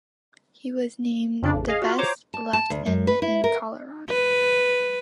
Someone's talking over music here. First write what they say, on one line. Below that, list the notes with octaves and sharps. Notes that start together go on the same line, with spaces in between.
He was named the Best Left End in Colorado.
F2 C#3 D4
A1
G#4 D#5 F5
F4 F#4
C5 C#5 A#5 D6
A5
A5
D2
F#2
B4
E4
A#4
B4